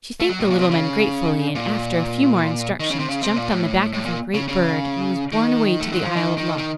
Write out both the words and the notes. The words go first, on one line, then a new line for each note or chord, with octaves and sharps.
She thanked the little men gratefully, and after a few more instructions, jumped on the back of her great bird, and was borne away to the isle of Lok.
A3
F#3
A2
A#2
C3
C#3
A#2
D#3
C#3
C3
C#3
C3
A#2
A2
A2
A#2
C#3
C#3
D#3
A3
F#3
F3
D#3
D#3
D#3